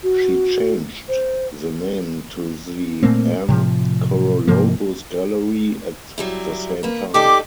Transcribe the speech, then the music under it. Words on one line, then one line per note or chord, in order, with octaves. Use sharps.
She changed the name to the Ann Korologos Gallery at the same time.
F#4
C5
A#2 A3 A#3 C4
A2 C3 F3
G#2 C3 F3 A#3
F#3 G3 E4
A#3 B4
D#4 G4 A4 D5 D6